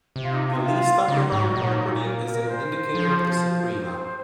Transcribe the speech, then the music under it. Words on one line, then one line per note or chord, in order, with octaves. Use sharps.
The least-upper-bound property is an indicator of the suprema.
C3
F4
D#4
F4
D#4
F4
C#3 D#4
G#2
A#2
A#4
C5
F3
C5